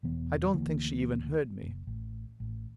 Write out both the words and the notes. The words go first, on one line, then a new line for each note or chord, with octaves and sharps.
I don't think she even heard me.
E1 E3 B3
D2 D3 E3 A#3
F#1
A1
A1